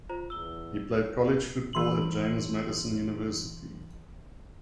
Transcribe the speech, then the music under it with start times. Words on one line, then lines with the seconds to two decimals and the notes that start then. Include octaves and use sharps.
He played college football at James Madison University.
0.09 F4 C5 A#5
0.30 E2 E6 G7
1.73 E3 C6 F#7